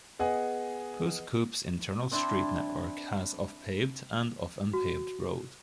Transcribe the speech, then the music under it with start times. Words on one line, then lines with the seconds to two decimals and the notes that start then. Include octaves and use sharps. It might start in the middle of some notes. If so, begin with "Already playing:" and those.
Pouce Coupe's internal street network has of paved and of unpaved road.
0.19 B3 G#4 D#5 F#5 G#5
2.11 C4 D4 E4 C5
4.73 F#4